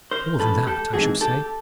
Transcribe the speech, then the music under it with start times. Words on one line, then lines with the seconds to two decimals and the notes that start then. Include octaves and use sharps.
More than that, I should say.
0.11 A#4 C5
0.39 G#2 E3 A3 C#4 A4 B4
0.67 G4 A4
0.93 A2 E3 G#3 C4 D#4 F#4 G#4
1.21 G4 A4